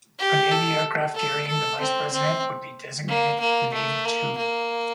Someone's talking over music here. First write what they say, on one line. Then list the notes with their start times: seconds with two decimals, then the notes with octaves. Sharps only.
A Navy aircraft carrying the Vice President would be designated Navy Two.
0.19 G4
0.51 A4
1.15 A4
1.47 A4
1.80 C4
2.12 C4
3.08 A#3
3.40 A#3
3.73 A3
4.05 A#3
4.37 A#3